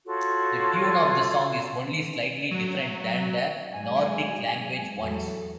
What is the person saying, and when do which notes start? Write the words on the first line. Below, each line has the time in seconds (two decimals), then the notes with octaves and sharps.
The tune of the song is only slightly different than the Nordic language ones.
0.06 F4 F#4 A4 C#5
2.51 F#3
3.72 G#2 F#3 G#3 G#5
5.00 E2 F#3 A4